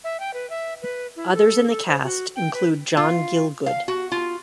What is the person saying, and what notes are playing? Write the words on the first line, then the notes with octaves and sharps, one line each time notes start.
Others in the cast include John Gielgud.
E5
G5
B4
E5
B4
E4
A4
A4
C5
F#4
G5
B4
F4
F5
F#4
F4